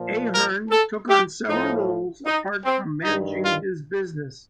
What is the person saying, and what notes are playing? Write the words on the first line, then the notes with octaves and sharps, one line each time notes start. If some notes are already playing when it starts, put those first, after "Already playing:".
Ahern took on several roles apart from managing his business.
Already playing: A#2 F3
A#4
A4
G4
A2 F3 D#4
D#4
C4
G2 D#3 D#4
F4